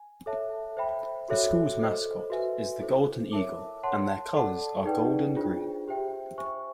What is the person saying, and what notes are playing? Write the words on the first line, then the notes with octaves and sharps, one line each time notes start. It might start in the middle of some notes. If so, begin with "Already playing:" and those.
The school's mascot is the golden eagle and their colors are gold and green.
Already playing: G#5
A4 C#5 E5 A5
C5 E5 G5 B5
F#4 A4 C#5 E5
A4 C5 D#5
F#4 B4 E5 G#5
E4 A4 C5
A#4 C#5 E5 A5 D6
C#5 F#5 A5 C6
A4 D5 F#5 A5
D#4 G#4 B4 D5 G5
D4 F4 G#4 C5
G4 C5 E5 G5
C5 E5 G#5 C#6